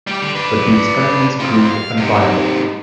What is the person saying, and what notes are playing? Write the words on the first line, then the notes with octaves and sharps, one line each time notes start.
But the experiments proved unviable.
G3 G4
D3
B4 D5
C4 F4
F5
G#2 C3